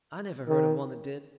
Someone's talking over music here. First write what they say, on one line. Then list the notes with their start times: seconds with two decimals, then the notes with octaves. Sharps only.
"I never heard of one that did."
0.48 D#3